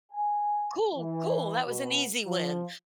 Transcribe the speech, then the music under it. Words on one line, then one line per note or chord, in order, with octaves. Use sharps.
Cool, cool. That was an easy win."
G#5
E3
B2
F3